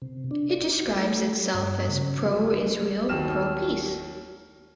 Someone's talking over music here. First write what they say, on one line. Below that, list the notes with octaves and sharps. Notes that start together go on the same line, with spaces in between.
It describes itself as "pro-Israel, pro-peace".
C3
D4
D5
F#4
A3
G2
C#3
F#3
D#2 F#3 F6 E7